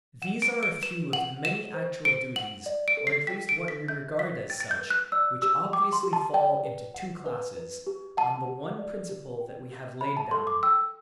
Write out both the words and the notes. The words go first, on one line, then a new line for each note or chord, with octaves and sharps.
These are a few of the many actual duties, or at least what we regard as such, which obviously fall into two classes on the one principle that we have laid down.
F#5 E7
D7
B4
D7
B4 E7
F#5 F#7
F#5 E7
C5
C5 D7
F#5 F#7
D5
D7
A4
C7
G5 B6
D7
A4
B6
E5 G6
B4 B6
G5 A6
A6
G6
B4
F#6
D5 E6
G4 E6
G5 D6
C6
G4
A5
D5 G5
B4
F#5
B4
B4
G4
F#5 A5
G4
D5
G4
G5
G4
E5 B5
A5
A4 C6
D6
G5 E6